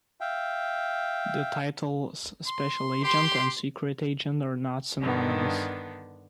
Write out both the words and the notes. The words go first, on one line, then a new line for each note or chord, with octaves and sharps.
The titles special agent and secret agent are not synonymous.
E5 F5 G5
C6
G4 C6
G2 D3 D#3 B3 D4